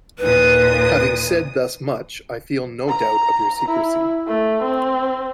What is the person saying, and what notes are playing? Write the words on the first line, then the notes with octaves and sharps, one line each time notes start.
Having said thus much, I feel no doubt of your secrecy.
D#2 A#2 B4 D#6
A#5
E4
A3
C4